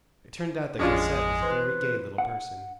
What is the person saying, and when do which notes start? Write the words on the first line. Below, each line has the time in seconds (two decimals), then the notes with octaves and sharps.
It turned out that Cosette was a very gay little person.
0.79 A1 F2 G#3 C#4 D4 F4
1.42 E3 B4 C5 C6
2.18 F#5